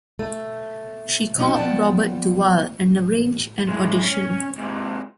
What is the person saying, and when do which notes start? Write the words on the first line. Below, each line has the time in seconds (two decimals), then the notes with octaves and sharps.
She called Robert Duvall and arranged an audition.
0.19 A3
1.37 B2 F#3 C#4 D#4 F#4
1.56 F3 B3 D5 F#5 G5 A5
3.68 G#3 E4
4.03 C#4
4.58 G#2 C3